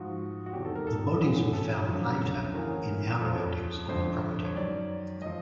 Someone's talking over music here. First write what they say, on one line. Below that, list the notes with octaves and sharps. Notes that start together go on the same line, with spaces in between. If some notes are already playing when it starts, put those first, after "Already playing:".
The bodies were found later in outbuildings on the property.
Already playing: G#2 F3 F#4
F#4
E2 C3 D#3 G4
A4
A#4
A4
D2 C#3 E3
A4
F#2 D3 F3
D2 C#3 E3 A#4
F2 C#3 F3 A4
F2 D3 F3 C5
C#5
F#2 D#3 D5
F3 D#5